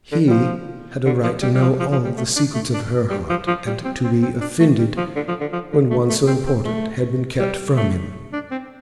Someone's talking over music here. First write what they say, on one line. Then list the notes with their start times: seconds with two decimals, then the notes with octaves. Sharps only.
He had a right to know all the secrets of her heart, and to be offended when one so important had been kept from him.
0.12 D3
0.27 G3
0.30 F3
1.06 D3
1.23 F3
1.42 G3
1.54 G3
1.61 F3
1.80 F3
1.92 F3
2.05 G3
2.17 A3
2.36 D4
2.54 A3
2.74 D4
3.11 G3
3.30 F3
3.47 F3
3.67 G3
3.85 C4
4.04 C4
4.22 C4
4.41 D4
4.60 A3
4.78 G3
4.97 F3
5.16 D3
5.28 F3
5.41 D3
5.53 F3
5.72 D3
5.90 A3
6.09 A3
6.27 C4
6.47 C4
6.65 A3
7.40 G3
7.76 A3
8.33 D4
8.51 C4